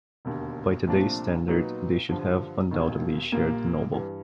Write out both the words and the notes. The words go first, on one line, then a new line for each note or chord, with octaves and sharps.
By today's standard, they should have undoubtedly shared the Nobel.
E1 D#2 D3
C2 A#2 F3 A3 D4
A#2 F#3 B3 D#4
G2 D3 F3
E1 D#2 D#3
A#1 A#2 G3 A#3
G2 E3 G3